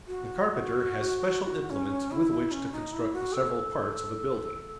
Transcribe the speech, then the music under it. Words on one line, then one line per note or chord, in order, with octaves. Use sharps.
The carpenter has special implements with which to construct the several parts of a building.
F#4
C#4
E4
C#4
D#4
E4
F#4
A4